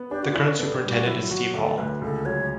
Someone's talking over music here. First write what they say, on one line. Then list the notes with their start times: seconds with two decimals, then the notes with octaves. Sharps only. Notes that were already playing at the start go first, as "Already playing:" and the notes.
The current superintendent is Steve Hall.
Already playing: B3
0.10 D4 G4
0.22 F#4
0.35 D4 E4
0.47 C#4
0.59 B3 A4
0.74 G4
0.83 G3
0.91 F#4
1.06 F#3 E4
1.30 F#3 F#4
1.54 D2 A4
1.78 D2 B4
2.02 C#2 A4
2.25 F#3 C#5